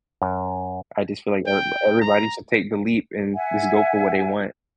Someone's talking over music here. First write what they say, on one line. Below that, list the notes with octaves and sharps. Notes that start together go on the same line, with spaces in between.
I just feel, like, er everybody should take the leap and just go for what they want."
F#2
G5
A#5
E5 F#5 G#5